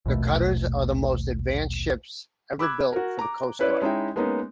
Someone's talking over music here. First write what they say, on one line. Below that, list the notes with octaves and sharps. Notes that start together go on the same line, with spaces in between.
The cutters are the most advanced ships ever built for the Coast Guard.
A#1 D#2 B2 A3
B5 D6 E6 F#6 G#6
F#4 A#4
A#5 D6
C#4 E4 B4 C#5 D5
G#3 C#4 D#4 E4 E5 G5
G#3 A#3 B3 C#4 D#4